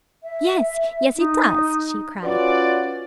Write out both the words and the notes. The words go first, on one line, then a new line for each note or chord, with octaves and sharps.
"Yes, yes, he does!" she cried.
E5
D#4
C#4 F4 F#4 B4 D5